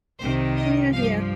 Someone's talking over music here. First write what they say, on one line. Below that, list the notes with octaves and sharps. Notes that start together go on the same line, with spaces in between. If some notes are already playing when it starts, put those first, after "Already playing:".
Yeah, yeah.
C2 C3 D#3 C5
D#5
G2 F3 F5